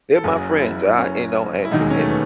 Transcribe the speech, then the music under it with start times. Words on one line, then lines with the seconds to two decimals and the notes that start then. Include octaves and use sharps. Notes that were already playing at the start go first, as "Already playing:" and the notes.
They're my friends. I you know, and and
0.16 A4
0.24 F#1 F#2 C#3 F#3 G#4
0.61 E4
0.98 C#4
1.65 E4
1.71 E1 D#2 D#3 F#3 D#4
1.81 G#3
1.90 C#4
1.99 A3
2.09 B3